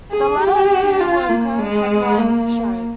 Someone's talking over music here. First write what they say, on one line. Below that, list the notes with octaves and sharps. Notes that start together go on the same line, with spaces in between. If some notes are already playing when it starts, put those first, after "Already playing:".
The latter two were co-headlining shows.
G#4
G4
F4
A#3
G#3
A#3